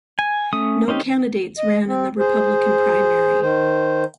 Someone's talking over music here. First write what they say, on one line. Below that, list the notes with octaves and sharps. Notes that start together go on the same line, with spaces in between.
No candidates ran in the Republican primary.
G#5
A3 C#4 D#6
C4 C#4 D#4 G4
D#5
C4
G#4 C5
D#3 C5